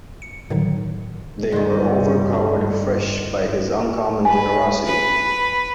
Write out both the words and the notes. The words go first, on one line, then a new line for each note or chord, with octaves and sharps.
They were overpowered afresh by his uncommon generosity.
C#7
A2 D3 D#3 F#3 D#4
G2 D3 D#3 G3 F4 D#5 C6
B4 G#5
B4